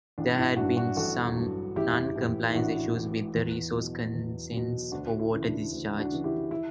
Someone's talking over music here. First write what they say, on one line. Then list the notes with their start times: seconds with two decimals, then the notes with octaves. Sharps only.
There had been some non-compliance issues with the resource consents for water discharge.
0.18 A1 D4
0.38 E4
0.57 F#3 D4 F#4
0.61 G2
0.77 D4 F#4
0.97 A1 F#4 A4
1.37 G2 F#3
1.76 A1 E4 G4
2.16 A2 E3
2.49 E4
2.55 A1 D4 F#4
2.95 A2 E3
3.35 E2
3.74 B2 F#3
4.14 E2
4.53 B2 F#3
4.92 D2 D4 F#4
5.19 E4
5.33 C#3 E3
5.45 D4
5.72 D2
5.98 D4 F#4
6.11 C#3 E3
6.24 E4 G4
6.51 E4